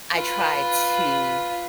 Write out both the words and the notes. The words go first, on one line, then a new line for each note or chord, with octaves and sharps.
I try to
F4 B4